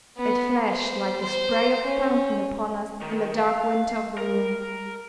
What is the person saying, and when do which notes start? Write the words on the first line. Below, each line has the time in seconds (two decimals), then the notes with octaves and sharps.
It flashed, like the spray of a fountain upon us, in the dark winter of the room.
0.17 B3
0.69 C5
1.21 C5
1.85 C#4
3.02 D#3
3.39 F5
4.18 A#4